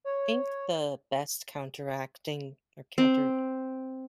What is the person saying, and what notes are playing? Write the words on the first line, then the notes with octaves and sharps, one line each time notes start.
Think the best counteracting, or counter
C#5
C4